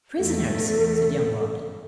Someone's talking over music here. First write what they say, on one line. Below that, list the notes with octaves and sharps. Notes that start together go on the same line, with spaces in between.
"Prisoners!" said young Robin.
E2 A3 A4